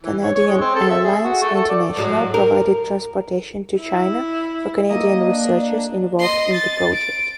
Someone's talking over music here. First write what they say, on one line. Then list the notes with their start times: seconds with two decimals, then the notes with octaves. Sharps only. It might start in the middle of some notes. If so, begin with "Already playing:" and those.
Canadian Airlines International provided transportation to China for Canadian researchers involved in the project.
0.03 E3
0.23 C#5
0.35 C#5
0.48 G#3
0.61 C4
0.75 A4
0.90 E5
1.04 G#4
1.24 F#4
1.42 A3
1.54 A4
1.69 D5
1.97 A2 F#3 G#3
2.34 A#4
3.79 E4
4.90 A#3 D#5
5.26 D4
6.20 D#5 C6
6.54 A6
6.94 D7